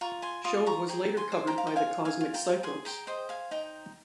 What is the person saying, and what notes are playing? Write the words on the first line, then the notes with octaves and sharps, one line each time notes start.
"Shove" was later covered by the Cosmic Psychos.
F4 A#5 C#6
G#5 C6
F4 C6 D#6
A#5 C#6
G#4 G5 A#5
G#5 C6
C5
G5 A#5
F5
G5
F4 F5 G#5
F5 G#5
F4
G5 A#5
G#4 G#5 C6
G5 A#5
C5 D#5 G5
F5 G#5
D#4 G5 A#5